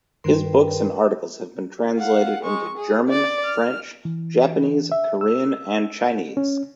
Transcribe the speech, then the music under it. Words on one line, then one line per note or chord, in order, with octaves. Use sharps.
His books and articles have been translated into German, French, Japanese, Korean and Chinese.
G2 D#3 A#4 B4 G5 C6
F5 F#5
G#3 C#6
G#4
D5
F6
E3
E5
E6
C#4